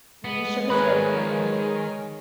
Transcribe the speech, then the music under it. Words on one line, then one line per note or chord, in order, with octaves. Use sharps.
He shook his head quietly.
G#3 B3
D#3 G#4 A#4 B4 C#5 B5